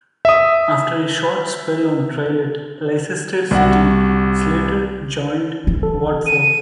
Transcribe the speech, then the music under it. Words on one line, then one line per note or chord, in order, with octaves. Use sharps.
After a short spell on trial at Leicester City, Slater joined Watford.
E5 D#6
C2 F#4
E3
A4
D#7